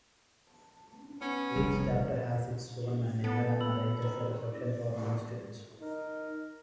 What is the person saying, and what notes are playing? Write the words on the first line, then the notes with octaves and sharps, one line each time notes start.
Each chapter has its own management and arranges a reception for new students.
B3 C#4
F1 C2
B3 A4
B5 E6 F#7
D#3
D5
D#4 A#4